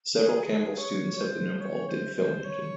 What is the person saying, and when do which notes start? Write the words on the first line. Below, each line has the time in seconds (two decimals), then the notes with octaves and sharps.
Several Campbell students have been involved in filmmaking.
0.14 G#4
0.35 G#4
0.52 A4
0.56 G#4
0.77 C#5
1.19 C5
1.61 C#5
1.89 C5
2.16 C5
2.44 C#5